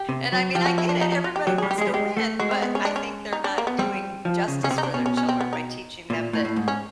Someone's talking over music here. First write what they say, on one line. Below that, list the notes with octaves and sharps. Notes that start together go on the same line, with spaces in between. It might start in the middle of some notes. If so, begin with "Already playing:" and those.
and I mean, I get it. Everybody wants to win, but I think they're not doing justice for their children by teaching them that,
Already playing: G4
C3
F#3
F3 G4
F#4
E4
D4
D#4
D#4
F4
G4
F#3 G4
G3 G#4
G4
G#3
G#4
G3
G#3 G4
A3
G#3 F#4
C4
B3
C#4
D4
C#4
D#4
D4
A#3
B3
G3 C4
F3
C#3
C#3 C#4
C3 C4
D#4
D4
B2 C#4
C#4
C#4
C4
B3
D#4
A#2
A2
A2
G#2
C#4